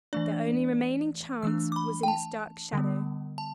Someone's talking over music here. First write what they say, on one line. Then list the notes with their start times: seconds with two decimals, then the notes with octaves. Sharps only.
Their only remaining chance was in its dark shadow.
0.13 E3 A3 D4 D5
1.42 E3 A3 D4 E6
1.72 D6
1.76 B5
2.03 G5
2.08 A5
2.73 D3 G3 B3
3.38 A5